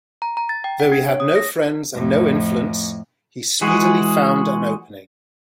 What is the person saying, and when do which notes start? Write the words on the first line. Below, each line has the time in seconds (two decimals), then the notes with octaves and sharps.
Though he had no friends and no influence, he speedily found an opening.
0.22 A#5
0.37 A#5
0.49 A6
0.64 G5
0.80 F#5
0.92 D4
1.09 C#5
1.20 D#6
1.36 A#6
1.95 F2 A2
3.61 E3 G#3 F#4 G#4